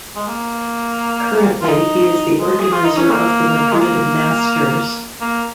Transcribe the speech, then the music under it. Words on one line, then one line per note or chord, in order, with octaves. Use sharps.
Currently, he is the organizer of the Madrid Masters.
G#3
A#3
F4
D#4
G#3
G#4
F4
D#4
C#4
A#3
G#3
A#3
A#3